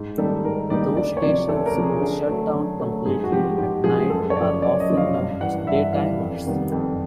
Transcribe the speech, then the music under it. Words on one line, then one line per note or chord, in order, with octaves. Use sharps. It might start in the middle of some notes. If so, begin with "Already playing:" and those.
Those stations which shut down completely at night are often known as "daytimers".
Already playing: G#2
D#3 G3 A#3 D#4 A4
G#2 A#4
D#3 G3 A#3 D#4 D5
D2 D5
C#5
C3 F3 D5
D2 A4
A#4
C3 F3
G#4
D3
F#3 A3
D3
F#3 A3
G#2 G#4
F#4
F3 G#3 G4
G#2 G4
F3 G#3 G#4
G#4
F#2 A4
C#5
C#3 F3 D5
F#2 D5
D#5
C#3 F3
F5
G2 F5
E3 G3 F#5
G2 E5
E3 G3 F5
F2
C3 D#3 G3 B3
F2